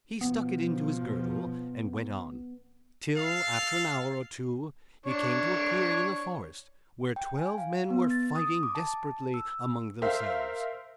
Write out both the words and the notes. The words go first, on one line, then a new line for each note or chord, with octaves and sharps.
He stuck it into his girdle, and went on, till after an hour or two he came to a clearing in the forest, where twelve men were fighting desperately among themselves.
B2 F3 B3
A4 F5
D4 C#5
G5
G#5
F5
B3
A6
D#6
D6
A5
E6
A#4 C5 E5 F5